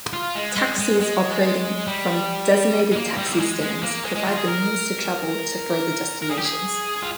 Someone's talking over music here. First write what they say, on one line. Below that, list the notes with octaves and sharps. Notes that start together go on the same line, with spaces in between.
Taxis operating from designated taxi stands provide the means to travel to further destinations.
F4
G#3
G#3
G#3
G#3
G3
G#3
A#3
G3
C4
A#3
G#3
G#3
A#3
G#3
G#3
F4
G#4
A#4
A#4
G#4
G4
G#4
F4